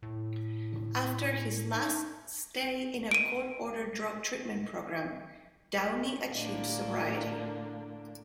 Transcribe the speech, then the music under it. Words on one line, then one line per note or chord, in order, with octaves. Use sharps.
After his last stay in a court-ordered drug treatment program, Downey achieved sobriety.
A2
D#4
D7 D#7
A2 D3 A#3 D4